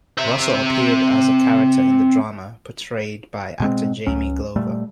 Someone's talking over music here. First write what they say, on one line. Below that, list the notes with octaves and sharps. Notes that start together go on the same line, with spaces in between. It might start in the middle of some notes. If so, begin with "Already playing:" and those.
Russell appeared as a character in the drama, portrayed by actor Jamie Glover.
C4 E5
B2 G#3 C4
C#2 F#3 C#4
A#2 G3 A3